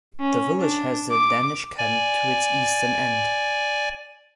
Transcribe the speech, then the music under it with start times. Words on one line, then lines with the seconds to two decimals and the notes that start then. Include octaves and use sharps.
The village has a Danish Camp to its eastern end.
0.20 C#4
0.59 D4
1.11 D6
1.78 D5 G#5